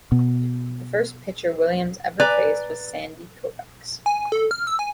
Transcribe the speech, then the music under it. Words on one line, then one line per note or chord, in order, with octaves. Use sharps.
The first pitcher Williams ever faced was Sandy Koufax.
B2
B4 D5 G#5 A#5
G#5
A4
F6
E6
G#5